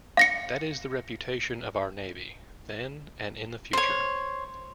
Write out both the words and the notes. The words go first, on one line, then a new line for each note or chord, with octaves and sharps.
That is the reputation of our Navy, then and in the future.
F5 A#6 C#7
C5 C#5